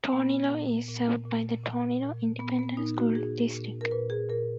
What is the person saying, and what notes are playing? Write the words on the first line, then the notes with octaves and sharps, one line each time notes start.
Tornillo is served by the Tornillo Independent School District.
A#2 B3
A#2
A#2
A#2
A#2
A#2
A#2 B3
B3
A#2 D#4
F#4
A#2 G#4
A#2
A#4
A#2 B4
G#4
A#2 A#4